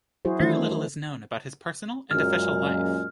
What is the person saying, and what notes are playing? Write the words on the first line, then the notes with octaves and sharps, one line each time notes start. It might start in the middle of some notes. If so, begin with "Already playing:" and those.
Very little is known about his personal and official life.
F#3 E4 F#4 G#4 C5
D#3 E3 A3 D4 E4 C5
F#2 A#2 G#3 F6